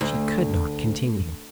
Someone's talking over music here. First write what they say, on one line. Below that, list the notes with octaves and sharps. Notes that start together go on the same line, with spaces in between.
She could not continue.
D2